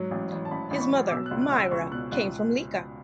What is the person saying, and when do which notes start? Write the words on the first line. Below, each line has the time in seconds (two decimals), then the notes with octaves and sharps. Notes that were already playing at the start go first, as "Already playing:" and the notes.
His mother Mira came from Lika.
Already playing: G#2 F#3
0.11 A1
0.32 A1
0.45 A5
0.51 A1 B5
0.71 A1
0.76 B5
0.81 C#6
0.91 F#3
1.07 D6
1.11 B2 E6
1.26 F#6
1.31 C#2
1.42 F#6
1.52 C#2
1.57 E6
1.71 C#2 C#6
1.92 B2 F#6
2.12 C#2 F#6